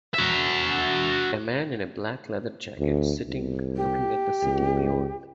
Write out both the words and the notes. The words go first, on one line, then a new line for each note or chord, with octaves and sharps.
A man in a black leather jacket sitting looking at the city beyond.
F#4 E5
D2
C2
G4
C#2